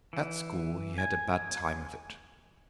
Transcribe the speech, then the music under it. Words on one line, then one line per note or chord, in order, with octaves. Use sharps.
At school he had a bad time of it.
E3
G#5